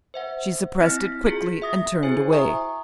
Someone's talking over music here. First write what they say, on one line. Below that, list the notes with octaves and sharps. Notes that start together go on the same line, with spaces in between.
She suppressed it quickly and turned away.
C5 E5 F#5
C4 E4 D#5 F6 A#6 B6
F4 F#4 G#4 B6
E5 D#6 A#6
E4 F#4 G#4 C5 G#5
E5 G#5 A#5 C#6 D#6